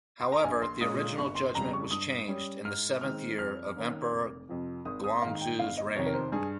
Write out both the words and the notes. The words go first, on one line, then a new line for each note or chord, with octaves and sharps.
However the original judgment was changed in the seventh year of Emperor Guangxu’s reign.
C6
A#5
A#1 G#5
C6
A#2 G#3 C#4 D#6
D#6
G1 C#6
C6
F2 C#3 G3 A#5
C#6
G2 D#6
G3 C#4
G#2 F6
D#3 G#3 C4 F6
F2 F6
D#3 A#3 C#4
F1
F2 C3 F3
G#1 D#6
D#6
G#2 D#3 F5
G5
G1 F5
D#5
F2 C3 D#3 C#5
A#4
C5
G2 G#4